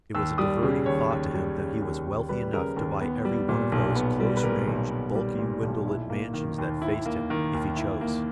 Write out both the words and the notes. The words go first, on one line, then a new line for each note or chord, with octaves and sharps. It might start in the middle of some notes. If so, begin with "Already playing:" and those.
It was a diverting thought to him that he was wealthy enough to buy every one of those close-ranged, bulky, window-lit mansions that faced him, if he chose.
D#2 E6
G3 D#6
C#3
D#2 C#5
D#2
G3
C#3
D#2
D#2
G3 B4
C#3 A#4
D#2 A#4
B3
G3
A#2
B1
B3
G3
B4
A#2 A#4
B1
B3
G3
A#2
B1
E4
A#3
D#3
D#2
E4
A#3
D#3
D#2
E4
A#3